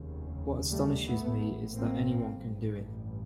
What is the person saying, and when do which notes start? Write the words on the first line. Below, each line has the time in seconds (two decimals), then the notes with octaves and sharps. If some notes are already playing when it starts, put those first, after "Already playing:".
What astonishes me is that anyone can do it.
Already playing: F1 D#2 C#3
0.72 G3 A3
1.06 A1 A2 A3 B3
1.75 A#3 C4
2.44 A1 G2